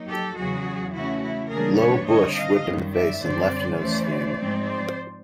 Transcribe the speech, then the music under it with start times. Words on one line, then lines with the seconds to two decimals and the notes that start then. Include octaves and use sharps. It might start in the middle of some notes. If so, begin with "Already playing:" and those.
Low bush whipped him in the face and left no sting.
Already playing: F#3 A#3 D#4
0.08 G4 A4
0.36 E2 C#3 F#3 F#4 G#4
0.94 C#3 E3 A3 C#4 E4 F#4
1.22 E4
1.51 C#3 E3 G3 A#3 D4 G#4 A#4
1.79 B4 C#5
2.09 D3 G3 C4 D#4 C#5 D#5
2.37 D#5 F5
2.66 F#2 D#3 G3
2.95 D5 E5
3.23 F#2 D3 G3 C4 C5 D5
3.79 E2 C#3 E3 A3 C#4 C5 D5
4.37 G#2 F3 G#3 C4 D#4
4.65 C5 D5